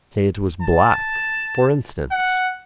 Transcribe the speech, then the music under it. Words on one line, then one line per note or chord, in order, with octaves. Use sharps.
Say it was black, for instance.
A5
F#5